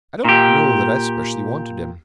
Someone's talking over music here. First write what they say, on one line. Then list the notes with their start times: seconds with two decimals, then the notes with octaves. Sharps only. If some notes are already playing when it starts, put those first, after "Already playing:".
I don't know that I specially wanted him.
0.24 A#2 G4